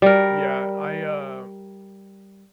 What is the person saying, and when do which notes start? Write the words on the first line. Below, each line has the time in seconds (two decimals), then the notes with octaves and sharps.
Yeah. I, uh,
0.02 G3 A#4